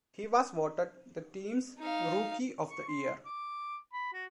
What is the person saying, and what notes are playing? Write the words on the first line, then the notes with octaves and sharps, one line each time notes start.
He was voted the team's Rookie of the Year.
D#4 F5
C#6
C6
D6
B5
F#4